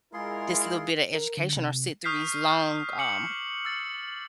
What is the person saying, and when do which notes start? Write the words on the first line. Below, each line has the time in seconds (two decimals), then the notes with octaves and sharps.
this little bit of education or sit through these long, um,
0.13 G#3 E4 F4 G#4 A#4 C6
1.14 A#4
1.37 D3
1.56 C3
2.04 C#6 D#6 F6 G6 B6 C7
2.98 D6 C#7 F#7
3.65 E6 A6